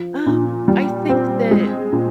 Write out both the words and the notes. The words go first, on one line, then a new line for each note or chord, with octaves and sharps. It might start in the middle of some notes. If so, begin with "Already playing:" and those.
Um, I think that
Already playing: F3
A#2
G3
C4
G#3
A#2